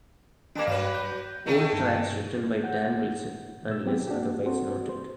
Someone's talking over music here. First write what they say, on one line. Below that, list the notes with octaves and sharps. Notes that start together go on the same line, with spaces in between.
All tracks written by Dan Wilson unless otherwise noted.
G3 A#3 D4 A5 D6
G2 F#3 B4 F5 D6
G6
D#3 A3 D#4
G2
F#5 G6
A#2 E6
F#3 B3 C4 G4 G#4
A#3 D4 F#4 G4
C4 F#4 A4 C5
C5